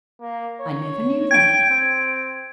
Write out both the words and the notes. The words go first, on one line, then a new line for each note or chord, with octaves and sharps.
I never knew that.
A#3
C#5
G5 G#6 D7
C4